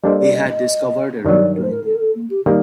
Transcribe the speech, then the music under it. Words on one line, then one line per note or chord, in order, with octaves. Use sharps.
He had discovered a route to India.
G3 A#3 D4 A4 C5 D#5
D5
D#5
D#5
G2 D#3 F#3 D5
A#4
C5
A#4
A4
A#4
A4
A#3
G4
D#3 G3 A#3 G4